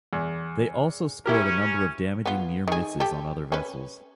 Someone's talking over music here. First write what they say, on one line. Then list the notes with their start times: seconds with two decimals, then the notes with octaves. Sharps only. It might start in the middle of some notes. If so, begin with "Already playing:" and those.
They also scored a number of damaging near misses on other vessels.
0.13 E2
1.26 C#4 E4 G4 A#4
2.26 B3 F4
2.68 D#3 G#4
3.00 G4 A4
3.52 C#4 B4